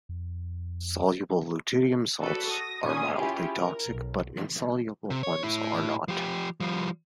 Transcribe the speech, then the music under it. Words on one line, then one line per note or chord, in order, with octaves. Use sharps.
Soluble lutetium salts are mildly toxic, but insoluble ones are not.
F2
F#4 A4 B4 D5
D#6 A#6
A#2 C#4 G#5 D#6
C#4 E4 F4 G4 G#4
A#4
B1
C3
C#5
A2 E4
F3 G4
F3 G3